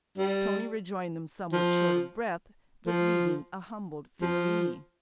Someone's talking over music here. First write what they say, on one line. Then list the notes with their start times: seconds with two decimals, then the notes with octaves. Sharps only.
Tony rejoined them somewhat short of breath, but leading a humbled Fidilini.
0.18 G3
1.53 F3
2.87 F3
4.22 F3